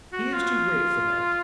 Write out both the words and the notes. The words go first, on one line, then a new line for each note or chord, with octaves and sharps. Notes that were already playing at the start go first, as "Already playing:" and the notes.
He is too great for that.
F#4
F4